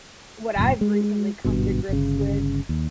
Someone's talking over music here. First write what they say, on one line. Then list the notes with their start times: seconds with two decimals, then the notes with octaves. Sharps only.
what I've recently come to grips with,
0.56 D#1 F#2 A#2
0.81 G#3
1.44 G#1 G2 B2
1.89 G1 C#3
2.69 D#2